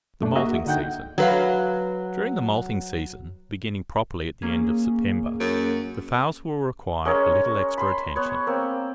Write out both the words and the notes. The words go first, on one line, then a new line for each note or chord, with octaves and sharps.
THE MOULTING SEASON.--During the moulting season beginning properly at the end of September, the fowls will require a little extra attention.
F#2 A3 D4
A#3 F#4 G#4 D#5 E5
D3 D#4 F#5 G5 G6
F#3 B4 F5
A#3 C#4 G#4
F#2
G#3 C#4 A#4 C#5
B5 C6
B3 C#5
A#3 C4